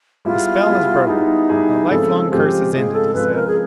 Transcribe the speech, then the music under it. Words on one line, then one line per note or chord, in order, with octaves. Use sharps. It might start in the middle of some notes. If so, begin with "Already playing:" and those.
"The spell is broken, the life-long curse is ended!" he said.
G3 B3 E4 F4 G#4
G3 B3 E4 G#4
G3 B3 D#4 E4 G#4
G3 B3 E4 G#4
C#3 F3 G#3 C4 F4 A4
C#3 F3 G#3 C4 F4 G4
C#3 F3 G#3 C4 F4 G#4
A4
C#3 F3 G#3 C4 F4 B4
A#4
G#4